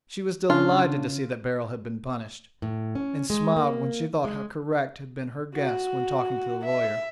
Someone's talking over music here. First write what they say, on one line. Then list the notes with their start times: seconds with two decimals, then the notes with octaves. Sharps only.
She was delighted to see that Beryl had been punished, and smiled when she thought how correct had been her guess when talking to the lawyer.
0.50 C#3 C#4 D4 F4
2.62 A2
2.95 C#4
3.30 G#3
3.56 A#3
4.25 G#3
5.55 F#4
6.65 E5